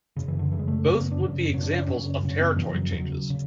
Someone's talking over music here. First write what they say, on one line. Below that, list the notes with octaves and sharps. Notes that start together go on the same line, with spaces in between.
Both would be examples of territory changes.
F#2 C#3
E3
D3
F#2 C#3 E3
G#3
A3
F#2 C#3 C#4
B3
D4
F#2 C#3
F#2 C#3 C#4 D4
C#4
D4
F#2 C#3 C#4
F#2 C#3
C#4
B3
F#2 C#3 E3
F#3
E2 C#3 F#3
C#3